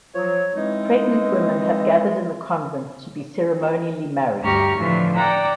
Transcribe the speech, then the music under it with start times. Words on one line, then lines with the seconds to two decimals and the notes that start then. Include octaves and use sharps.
Pregnant women have gathered in the convent to be ceremonially married.
0.15 F3 F#3 C#5
0.56 E3 G#3 C4 D#4
4.42 D2 G2 G4 A#5 C#6 F6
4.77 A2 D3 E3 F3
5.15 D5 F#5 G5 A#5 E6